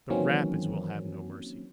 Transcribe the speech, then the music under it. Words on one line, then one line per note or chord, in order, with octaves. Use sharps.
The rapids will have no mercy.
D#3 E3 F#3 A#3 C4 C#4